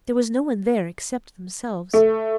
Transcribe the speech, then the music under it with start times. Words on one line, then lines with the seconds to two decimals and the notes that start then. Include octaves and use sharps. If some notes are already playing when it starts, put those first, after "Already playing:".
There was no one there except themselves.
1.94 A3